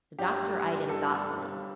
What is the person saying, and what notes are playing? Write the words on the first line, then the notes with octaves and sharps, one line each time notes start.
The doctor eyed him thoughtfully.
G2 G4
G3
G3
G2 A4
G3
G1